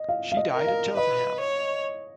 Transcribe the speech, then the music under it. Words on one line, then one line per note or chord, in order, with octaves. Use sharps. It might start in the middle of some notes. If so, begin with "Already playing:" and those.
She died at Cheltenham.
Already playing: D#5
F5
F5
D#5
A#4
F5
B4 D#5
C#5